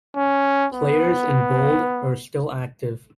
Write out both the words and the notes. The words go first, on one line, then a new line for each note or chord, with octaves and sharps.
Players in bold are still active.
C#4
B3